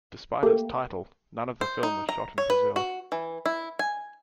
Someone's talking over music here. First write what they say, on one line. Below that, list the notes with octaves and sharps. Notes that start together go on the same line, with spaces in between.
Despite its title, none of the film was shot in Brazil.
A3 A#3 G4
C5
D#4
A#5
C#5
B4
F#4
E3
E4
G#5